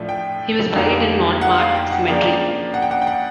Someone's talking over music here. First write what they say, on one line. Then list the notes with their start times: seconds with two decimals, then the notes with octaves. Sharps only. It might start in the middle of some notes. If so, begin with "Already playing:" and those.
He was buried in Montmartre Cemetery.
Already playing: A2 F3 A3 D4
0.09 G5
0.76 F2 D3 G3 A#3 D#4
1.41 F#5
1.58 F5
1.74 G5
1.91 F#5
2.07 C#3 F3 A#3 D4 G5
2.74 F#5
2.82 G5
2.91 F#5
3.02 G5
3.07 F#5